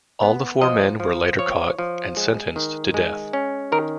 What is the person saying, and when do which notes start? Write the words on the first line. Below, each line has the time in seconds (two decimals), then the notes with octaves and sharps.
All the four men were later caught and sentenced to death.
0.23 B3
0.61 F3 D#5
1.00 F3
1.39 F3 C#5
1.79 F3
2.17 G#3
2.56 D#3
2.94 G#3
3.33 C#4
3.72 D#3 A#4